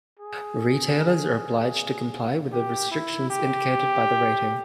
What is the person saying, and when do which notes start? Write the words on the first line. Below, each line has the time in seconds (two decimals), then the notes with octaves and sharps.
Retailers are obliged to comply with the restrictions indicated by the rating.
0.19 G#4
2.53 G4
2.91 E4
3.30 G4